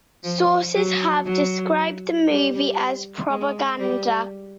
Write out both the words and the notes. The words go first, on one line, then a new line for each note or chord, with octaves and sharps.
Sources have described the movie as propaganda.
F3
F#3
F#3
G3
G#3
G3